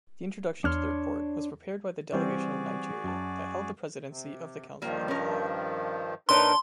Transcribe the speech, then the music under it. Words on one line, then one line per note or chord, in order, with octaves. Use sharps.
The introduction to the report was prepared by the delegation of Nigeria that held the presidency of the Council in July.
E2 D4 C#5 C6 F6
E3 G3 C4 F#4 G#4 D5
F#2 A5
C3
G2 D#3 F3 G3 A#3
C#4 A#4
A#2 D4 D#4 A#4 B4 C#5 C6